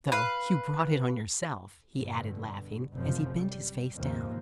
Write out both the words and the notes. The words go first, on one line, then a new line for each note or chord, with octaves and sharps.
"Though you brought it on yourself," he added, laughing, as he bent his face down.
B4 F5
G2 B2 D3
F1 F#2 A2 C#3 F3
G3
D#2 G#2 C3 F3 A#3